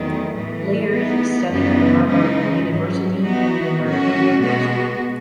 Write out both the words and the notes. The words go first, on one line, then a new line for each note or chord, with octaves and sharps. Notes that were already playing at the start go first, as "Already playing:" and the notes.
Later he studied at Harvard University and the American University.
Already playing: E2 D#3 F#3 A3
A2 E3 A3
E3 B3 D#4
F#2 C#3 E3 B3 D#4
C#3 E3 G#3 D#4
G#2 F#3 C#4
E3 B3 D#4 F#4
A2 F#3 C#4 F#4
B2 G#3 B3 F#4